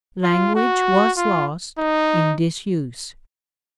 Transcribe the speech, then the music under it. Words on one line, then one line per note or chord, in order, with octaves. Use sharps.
Language was lost in disuse.
F4
F#4
F4
D#4